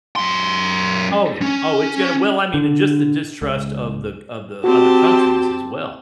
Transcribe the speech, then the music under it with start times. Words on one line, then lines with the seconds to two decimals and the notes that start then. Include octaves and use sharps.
Oh, yeah, oh, it's gonna Well, I mean, just the distrust of the g of the other countries as well.
0.16 F#2 C6
1.42 C#4
2.54 D3
3.42 C#2
4.64 C4 F#4 G4 A5